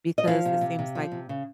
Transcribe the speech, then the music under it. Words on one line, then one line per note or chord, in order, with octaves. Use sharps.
because it seems like
D#5
F3 F5
C3
C3
C3
F3
C3
C#3